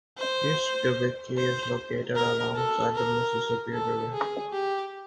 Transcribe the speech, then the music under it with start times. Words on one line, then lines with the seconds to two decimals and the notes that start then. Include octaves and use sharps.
East Dubuque is located alongside the Mississippi River.
0.18 C5
1.38 C5
2.16 A#4
2.55 A4
2.95 A#4
3.73 A4
4.13 G#4
4.53 G4